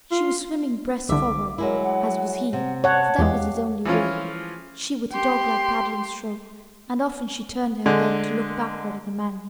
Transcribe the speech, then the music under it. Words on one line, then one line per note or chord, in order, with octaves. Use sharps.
She was swimming breast forward, as was he--for that was his only way--she with a dog-like paddling stroke, and often she turned her head to look backward at the man.
F4
C2 D3 E5 D6
F#3 G#3 E4 A#4
F#5
C3 F#5
C#5 F#5 A5
E2 G#3 G4 F5
E3 F3 C#4 F4
G4 C6
D3 G#3